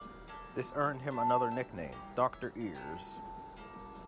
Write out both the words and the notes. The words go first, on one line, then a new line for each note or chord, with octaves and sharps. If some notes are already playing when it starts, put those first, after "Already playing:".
This earned him another nickname, Doctor Ears.
Already playing: F4 D5 F5
A#3 E4 A4
A3 D4 A4
E5 G5
A#3 C#4 G4
C#5 E5
F5 A5
A3 C#4 F4 A4 G5 A#5
A#3 E4 A4